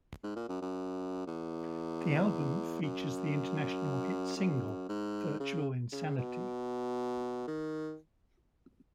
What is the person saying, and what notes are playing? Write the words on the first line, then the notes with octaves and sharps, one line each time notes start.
The album features the international hit single "Virtual Insanity".
G#2
A#2
F#2
F#2
E2
F#2
F#2
G#2
C#3
C#3
B2
D#3